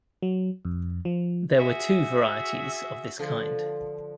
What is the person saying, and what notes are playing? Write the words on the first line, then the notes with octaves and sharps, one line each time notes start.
There were two varieties of this kind.
F#3
F2
F3
F#4 G#4 E5
D3 F3